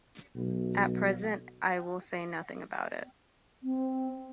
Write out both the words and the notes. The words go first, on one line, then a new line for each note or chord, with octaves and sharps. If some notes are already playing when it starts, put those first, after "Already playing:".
At present I will say nothing about it.
B1
C4